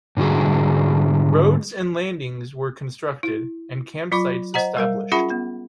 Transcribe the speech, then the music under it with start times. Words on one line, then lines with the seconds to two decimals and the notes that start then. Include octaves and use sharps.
Roads and landings were constructed, and camp sites established.
0.17 G#2 D3 G3 F#4 G#4
3.23 E4
4.12 F#3 F4 B5 D6
4.54 C5 D#5 F#5 A#5
4.77 G3 A#4 F5
5.12 C#4 F4 G#4 E5 F#5 B5
5.30 B3